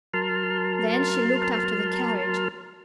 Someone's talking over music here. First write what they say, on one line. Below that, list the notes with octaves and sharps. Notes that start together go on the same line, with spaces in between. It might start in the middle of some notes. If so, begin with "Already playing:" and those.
Then she looked after the carriage.
F#3 A#4 A5 C6 F6